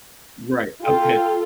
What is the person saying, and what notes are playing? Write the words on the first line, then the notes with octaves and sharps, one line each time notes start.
Right, okay.
F4 A4 G5